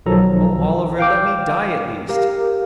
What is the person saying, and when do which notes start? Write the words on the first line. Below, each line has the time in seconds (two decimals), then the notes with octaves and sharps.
Oh, Oliver, let me die at least!
0.06 B1 D#3 F3 F#3 A4 A#5
0.99 F5 G5 D6
2.09 G4 A#4 F5